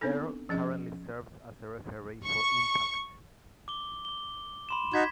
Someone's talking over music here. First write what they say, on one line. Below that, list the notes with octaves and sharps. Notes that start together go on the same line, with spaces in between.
Earl currently serves as a referee for Impact.
B3 C4 D4 D#4 A4
F3 C#4 G#4 D#5
C#6
D6 G7
D6 G7
B5 C6 E7
D#4 F#4 G#6 B6